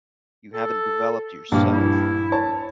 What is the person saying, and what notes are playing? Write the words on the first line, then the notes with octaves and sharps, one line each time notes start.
you haven't developed yourself.
A4
A#1 G2 A#3
E4
C#5 A5